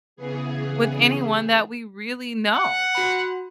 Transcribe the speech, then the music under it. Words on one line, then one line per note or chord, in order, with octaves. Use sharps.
with anyone that we really know.
C#3 E3 B3 G#4
F#5
F#4 B5